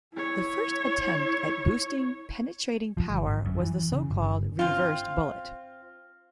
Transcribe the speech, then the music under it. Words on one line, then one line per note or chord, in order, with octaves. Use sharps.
The first attempt at boosting penetrating power was the so-called 'reversed bullet'.
E4 C#5
F3
G1
G#1
F#2
E3
C#3
G1
C4 F4